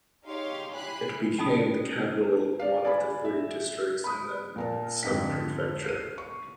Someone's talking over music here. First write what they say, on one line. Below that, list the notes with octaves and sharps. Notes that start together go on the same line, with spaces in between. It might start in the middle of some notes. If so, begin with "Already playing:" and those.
It became the capital of one of the three districts and then sub-prefecture.
D#4 G4 G#4 C#5 F5 C6
E4 G4 G#5 B5 F#6 C7
C#4 D#4 B5 D#6
D5 F5
D5 G#5 B5
E5
B5 D#6
A#2 A#4 A5
F2 G#2 D3 D#4 G5 B6
C7 D#7
C#6